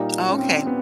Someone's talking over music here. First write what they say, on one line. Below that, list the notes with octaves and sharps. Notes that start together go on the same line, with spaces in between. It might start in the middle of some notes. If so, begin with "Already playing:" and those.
Oh, okay.
Already playing: A#2 G3 A#3 D#4 G4
C#4
C4
B3